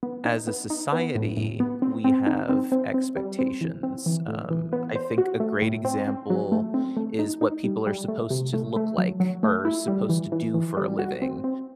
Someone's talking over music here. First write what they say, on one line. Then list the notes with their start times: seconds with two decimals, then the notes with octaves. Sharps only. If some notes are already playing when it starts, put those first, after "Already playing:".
as a society, we have expectations. Um, I think a great example is what people are supposed to look like or supposed to do for a living.
0.03 B3
0.25 D#4
0.47 B3
0.70 D#4
0.92 B3
1.15 A2
1.37 A2
1.60 B3
1.82 C4
2.04 C4
2.27 D#4
2.49 C4
2.72 C4
2.94 C4
3.16 G3
3.39 C4
3.61 E3
3.83 C4
4.06 E3
4.28 A2
4.50 E3
4.73 B3
4.95 C5
5.18 F#4
5.40 A3
5.62 A2
5.85 C4
6.08 C4
6.30 F#3
6.52 A3
6.74 C4
6.97 A3
7.19 D#4
7.41 D#4
7.64 G3
7.86 G3
8.08 A3
8.30 C3
8.53 A3
8.76 A3
8.98 F#3
9.20 F#3
9.43 A3
9.65 E4
9.88 G3
10.09 E3
10.32 E3
10.54 E3
10.77 G3
10.99 F#4
11.22 C4
11.44 C4